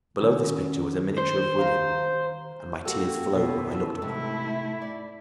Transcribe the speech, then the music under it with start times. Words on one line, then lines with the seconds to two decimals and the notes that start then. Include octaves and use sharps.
Below this picture was a miniature of William; and my tears flowed when I looked upon it.
0.19 B2 D#3 C#4
1.18 C5
1.58 F5 A#5
2.85 A#3 F#4 G4 A4
3.31 B2
3.71 E3
4.02 G#2 C3 A3 E4
4.82 D5